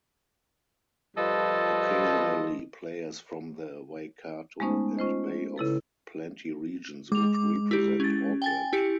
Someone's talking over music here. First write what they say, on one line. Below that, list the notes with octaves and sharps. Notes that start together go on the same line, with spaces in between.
Occasionally players from the Waikato and Bay of Plenty regions would represent Auckland.
F3 G3 F4 A4 B4 D#5
G#3 A3 B3 C#4 D#4 C5
C#4 F4 C5 D#5
C#3 E4 A4 B4
G#3 D6 F7
D6
E4 G4
C#4 A6
G5 G#5 A6
E4 G4 C#7